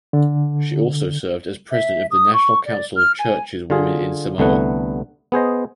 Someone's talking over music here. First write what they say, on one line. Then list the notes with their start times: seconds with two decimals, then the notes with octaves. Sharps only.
She also served as President of the National Council of Churches Women in Samoa.
0.13 D3
1.71 E5
2.10 D#6
2.33 C#6
2.65 D5
2.96 F6
3.19 G#5
3.70 D3 F4 G#4
4.38 C2 D3 A3 B3 F#5
5.32 B3 G#4 C5 D#5